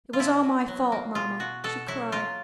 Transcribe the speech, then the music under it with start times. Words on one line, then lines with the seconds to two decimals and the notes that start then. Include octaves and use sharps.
"It was all my fault, Mamma!" she cried.
0.13 F4
0.20 B2 E4
0.43 B2
0.68 F#3
0.92 A#3
1.15 B2 F4
1.40 B2 F#4
1.64 B2 A4
1.88 F#3 E4
2.12 A#3 F4